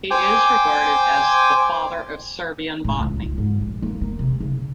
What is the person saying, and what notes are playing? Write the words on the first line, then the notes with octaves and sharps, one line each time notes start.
He is regarded as "the father of Serbian botany".
C5 G5 G#5 D6
A2
C#2
F4
G#2
A#1
A#3
A#3
C3
C#3